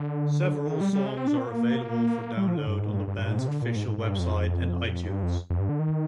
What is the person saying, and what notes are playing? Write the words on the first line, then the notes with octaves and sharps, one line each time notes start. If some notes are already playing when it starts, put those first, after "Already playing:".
Several songs are available for download on the band's official website and iTunes.
Already playing: D3
D#3
G3
G3
G#3
C4
D4
C4
A#3
G3
F3
D3
G2
G#2
G2
G2
G2
G#2
C3
D3
A#2
G#2
G#2
G#2
G2
F2
G2
F2
F2
G2
D3
D#3